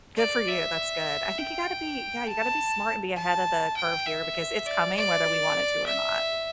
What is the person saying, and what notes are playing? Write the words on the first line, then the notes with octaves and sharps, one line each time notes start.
Good for you, that's good. I think you gotta be yeah, you gotta be smart and be ahead of the curve here, because it's coming whether we want it to or not.
D5
E5
G5
A5
A5
G5
E5
D5
D5
E5